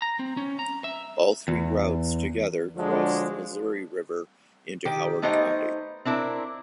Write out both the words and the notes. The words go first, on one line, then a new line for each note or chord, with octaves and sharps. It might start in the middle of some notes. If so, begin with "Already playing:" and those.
All three routes together cross the Missouri River into Howard County.
A#5
C4
C#4
A#5
E5
E2
D3 F3 F#3 G#3 D4
D#3 G4
A3 B3 D#4 G4 C5 D#5
C4 D4 E4 A#4